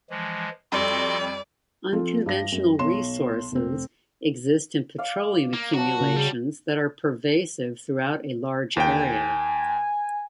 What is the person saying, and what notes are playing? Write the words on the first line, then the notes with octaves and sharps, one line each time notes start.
"Unconventional resources" exist in petroleum accumulations that are pervasive throughout a large area.
E3 F3 G#3
F2 G3 F#4 A4 D5 C6
F3 C4 F4 A4
G2 A#6
F#2
B1 C#5 C6 E7
F1 C4
D5 F5
A#3
F#3 F#4 A5
C#3
G3
D#2 G5 G#5